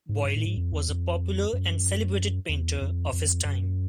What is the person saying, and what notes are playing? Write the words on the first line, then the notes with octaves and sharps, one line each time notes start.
Boilly was a popular and celebrated painter of his time.
G#2
G2
A2
G#2
F2
E2
F2
F#2
E2
F2
F2
F#2